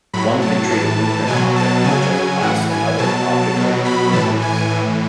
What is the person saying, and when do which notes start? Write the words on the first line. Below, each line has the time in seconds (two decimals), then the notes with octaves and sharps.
One can treat a blueprint object much as a class in other object-oriented languages.
0.13 A2 F#3 B5
0.42 A5
0.70 A2 E3 A5
1.27 B2 F#3 G#5
1.56 A5
1.84 C#3 F#3 G#5
2.41 A2 E3 F#5
2.71 G#5
2.98 B2 F#3 A5
3.56 B2 F#3
3.85 B5
4.13 A2 E3 A5
4.42 G#5
4.70 A2 E3